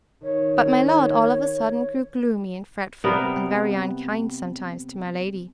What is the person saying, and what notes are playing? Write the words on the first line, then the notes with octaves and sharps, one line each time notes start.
But my lord, all of a sudden, grew gloomy and fretful, and very unkind sometimes to my lady.
D#3 C#5
C3 G3 B3 A#4